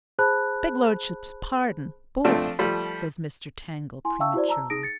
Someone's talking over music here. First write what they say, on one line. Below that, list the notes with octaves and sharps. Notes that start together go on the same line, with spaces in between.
"Begludship's pardon--boy," says Mr. Tangle prematurely.
G#4 C5 A5 B5 F#6
F3 A3 C4 D4 F4
F3 G3 A3
E4 G#5 C6
E5 F5 G5 A5 C#6 E6
E4 F#4 C5 D5
A5 A#5 E6
D#4 G#4 D#6 A#6 D7
A6 C#7